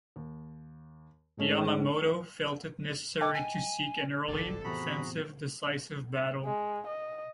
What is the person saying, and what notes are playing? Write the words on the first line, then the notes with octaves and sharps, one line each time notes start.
Yamamoto felt it necessary to seek an early, offensive decisive battle.
D#2
G#2 A3 C#4 D#4
D#5 G5 A5 D6
G#5
F#1 B1 F2 D3 A4 D5
A2 C3 E3 B3 F#4 G#4 A#5 B5
G#3
D#5